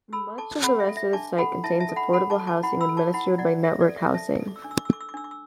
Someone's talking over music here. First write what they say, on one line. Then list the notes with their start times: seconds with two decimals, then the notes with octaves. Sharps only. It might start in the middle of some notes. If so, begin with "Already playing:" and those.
Much of the rest of the site contains affordable housing administered by Network Housing.
0.13 A4 B5 E6
0.38 A4 A5 D6
0.63 A4 F#5 B5
0.80 E5
0.89 A4
0.97 E5
1.13 D4 A5 D6
1.38 A4 F#5 B5
1.64 E4 E5 A5
1.80 E5 A5
1.89 A4
1.96 F#5 B5
2.13 A4 F#5 B5
2.30 A5 D6
2.39 A4
2.47 A5 D6
2.63 E4 F#5 B5
2.81 B5 E6
2.89 A4
2.97 A5 D6
3.14 E4 F#5 B5
3.38 E4 D5 F#5
3.64 A4 E5
3.81 D5
3.89 A4
3.97 E5
4.14 A4 E5 A5
4.40 A4
4.48 D6
4.56 E6
4.62 D4 D6
4.71 E6
4.78 D6
4.85 E6
4.89 A4 D6
5.01 E6
5.09 D6
5.14 D4 E6
5.24 D6
5.31 E6